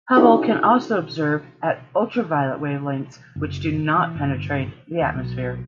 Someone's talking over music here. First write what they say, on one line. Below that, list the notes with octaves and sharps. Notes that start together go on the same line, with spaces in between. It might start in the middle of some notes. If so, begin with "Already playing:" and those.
Hubble can also observe at ultraviolet wavelengths which do not penetrate the atmosphere.
C#4 D#4 E4 F#4 A4
F#1
E3
G1
D#2
B1